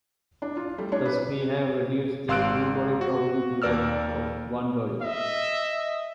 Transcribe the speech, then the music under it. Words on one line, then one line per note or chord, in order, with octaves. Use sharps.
Thus we have reduced the two-body problem to that of one body.
D4
F4
G3 A3
C#4 D4 C#5
B4
G#1 F5 C6 E6 F#6 D7
F#4
D#2 A#3 A#4 D5 E6 F6
D#5 E5